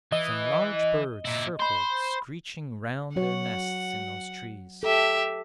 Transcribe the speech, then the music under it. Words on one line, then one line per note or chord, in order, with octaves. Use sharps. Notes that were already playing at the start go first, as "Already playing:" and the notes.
Some large birds circled screeching round their nests in those trees.
E3 D#5 G7
A#2 E4
C5 B5 C6
F#3 F#4 C#5 F#5
G4 A4 E5